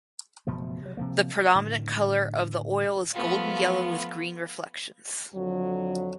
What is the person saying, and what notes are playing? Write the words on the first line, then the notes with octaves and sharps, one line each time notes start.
The predominant color of the oil is golden yellow with green reflections.
F#1 B2 F3 A3
C3 F#3
C3 F3 A#3
A2 D3 D#3
F3 A3 B3 F4
F2 D3 F#3